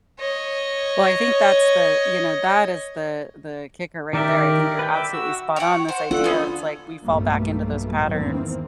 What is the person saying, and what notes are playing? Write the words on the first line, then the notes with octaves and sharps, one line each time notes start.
Well, I think that's the you know, that is the the kicker right there; I think you're absolutely spot on. This idea, it's like we fall back into those patterns
C#5 D#5
D#3 D#4 G4 A#4 D5 E5
B4 G5
E5 D6
F#4 E6
C#5 F#5 G5
C5 F#5
D4 F4 A4 F#5
B3 C#4
B1 G2 G3 A3 A#3
E2 G#2 D#3 E3 A#3 C4